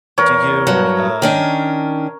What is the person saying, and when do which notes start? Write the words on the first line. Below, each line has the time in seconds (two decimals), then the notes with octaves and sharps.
Do you, um,
0.18 E2 A#4 C#5
0.67 G2 F#3
1.22 D#3 C#4 D4